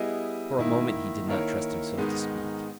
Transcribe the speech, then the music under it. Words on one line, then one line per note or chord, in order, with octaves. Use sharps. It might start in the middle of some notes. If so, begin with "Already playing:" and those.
For a moment he did not trust himself to speak.
Already playing: G3 B3 E4 G#4 D#5
G#2 D#3 A#3 E4
D#3 A#3 E4 A#4 C#5
G#2 D#3 G#3 B3 D#4